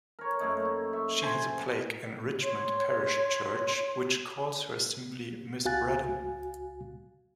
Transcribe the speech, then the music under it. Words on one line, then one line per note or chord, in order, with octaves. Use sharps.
She has a plaque in Richmond parish church which calls her simply 'Miss Braddon'.
A#4 C#5
F#2 A3 A#3 D#4
E5 C#6
C5 G#5 A5 B5
C#5 C6
C#2 F#4 F5 G#5 F#6 A6